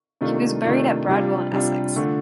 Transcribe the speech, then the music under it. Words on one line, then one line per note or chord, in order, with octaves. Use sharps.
He was buried at Bradwell in Essex.
C3 D#3 A3 D4 F4
C3 D#3 A3 D4 F4
C3 G3 D4 F4
C3 G3 D4 F4
D3 A3 D4 F4